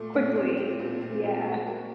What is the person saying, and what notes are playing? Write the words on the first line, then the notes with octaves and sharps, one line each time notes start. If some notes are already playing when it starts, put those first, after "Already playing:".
quickly. Yeah.
Already playing: A#2 A3
C4
C4
C4
A#2
C4
A#2
F#4
A#3